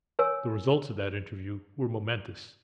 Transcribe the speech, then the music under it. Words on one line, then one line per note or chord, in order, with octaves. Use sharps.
The results of that interview were momentous.
A#4 C#5 G#5 E6